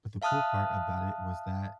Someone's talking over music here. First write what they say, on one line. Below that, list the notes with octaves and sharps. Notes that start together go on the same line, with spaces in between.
But the cool part about it was that,
E5 F5 A5 D#6 F6 F#6